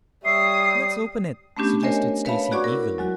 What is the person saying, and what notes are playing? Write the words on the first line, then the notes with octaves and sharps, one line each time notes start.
"Let's open it," suggested Stacy eagerly.
G3 C#5 E5 D#6 C7
A3 B3 C#4 D4 G4
A#4 C5 C#5 D#5 E5 G#5
B4 C#5 E5 F5 A5 B5
F#4 G#4 D5 F#5 C#6 D6
E4 A#4
F#3 G#3 F#4